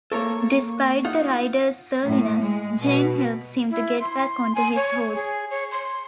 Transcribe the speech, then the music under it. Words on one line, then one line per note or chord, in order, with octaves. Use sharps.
Despite the rider's surliness, Jane helps him to get back onto his horse.
A#3 A4 A#4 C#5 C#6
D#4 F4 F#5
A2
G#3
B2
E4
C6
G#5
C#5
G#4
C#5
C6